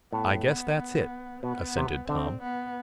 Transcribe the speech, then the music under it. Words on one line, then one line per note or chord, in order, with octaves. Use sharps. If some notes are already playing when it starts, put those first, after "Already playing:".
"I guess that's it," assented Tom.
A2 B3
B3
B3
B2 B3
C3
D3 C4
B3